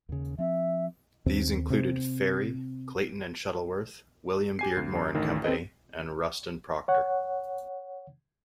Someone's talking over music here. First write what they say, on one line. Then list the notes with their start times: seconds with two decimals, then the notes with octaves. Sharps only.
These included Fairey, Clayton and Shuttleworth, William Beardmore and Company and Ruston Proctor.
0.09 D#2 C#3
0.38 F3 C4 E5
1.26 D#2 C4
1.70 C3 C4
4.59 G4 G#5 C7
4.77 D2
4.95 F#2
5.15 A1 D2 D#3
5.44 C4 A4 B4 D#5
6.88 C#5 F#5